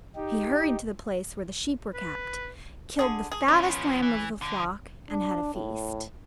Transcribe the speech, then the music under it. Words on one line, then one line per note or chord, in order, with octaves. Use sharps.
He hurried to the place where the sheep were kept, killed the fattest lamb of the flock, and had a feast.
D#4 G4
B4
D3 G#4
G#4
F3 B3 C#4
E3
B1 D3
D4
A2